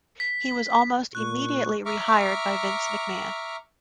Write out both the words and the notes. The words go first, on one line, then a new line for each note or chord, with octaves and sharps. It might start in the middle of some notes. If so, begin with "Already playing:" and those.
He was almost immediately re-hired by Vince McMahon.
B6
A#2 C#6 F#6
E5 A#5 C#6 D6 F6